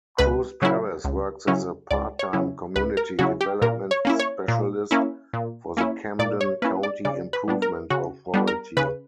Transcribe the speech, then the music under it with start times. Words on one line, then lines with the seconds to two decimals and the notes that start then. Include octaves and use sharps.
Cruz-Perez works as a part-time community development specialist for the Camden County Improvement Authority.
0.18 C#2 B4
0.62 C#3 F#3 C#4 E4
1.04 C#2
1.47 C#3 F#3 C#4 E4
1.91 C#2 D5
2.19 C#5
2.33 C#3 F#3 C#4 E4
2.76 C#2 B4
2.97 A#4
3.19 C#3 F#3 C#4 E4 F#4
3.41 G4
3.62 A#2 A#4
3.91 C#5
4.05 A#3 C#4 E4
4.20 C#5
4.48 A#2
4.91 A#3 C#4 E4
5.33 A#2
5.77 A#3 C#4 E4
6.19 A#2 D5
6.41 C#5
6.62 A#3 C#4 E4 B4
6.83 D5
7.05 C#3 D5
7.33 B4
7.48 G3 B3 D4
7.62 A#4
7.90 C#3 F#4
8.34 G3 B3 D4
8.47 A#4
8.77 C#3 B4